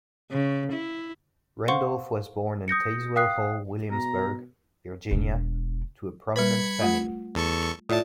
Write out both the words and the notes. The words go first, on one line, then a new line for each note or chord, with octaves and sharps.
Randolph was born in Tazewell Hall Williamsburg, Virginia to a prominent family.
C#3
E4
C5 F5 F#5 C6 C#6
D#6 G6 A#6 C#7
F5 G5 D#6 F#6 C7
B2 A#5
E1 D4
G3 B4 B5 G#6 C#7
A3 F4 F#5
E2 A4 C#6
A2 F4 D5 E5 A5